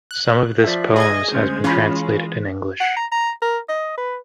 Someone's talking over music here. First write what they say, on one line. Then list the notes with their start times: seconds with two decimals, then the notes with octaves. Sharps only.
Some of this poems has been translated in English.
0.11 F#6
0.64 F3 D5 E5
0.96 G#4 D#5 G#6
1.32 D2 G#3 C#4 C5
1.64 E3 C#4 F4 B5
2.81 F#5
2.97 A#5
3.12 A#5
3.42 A#4
3.69 D#5
3.98 B4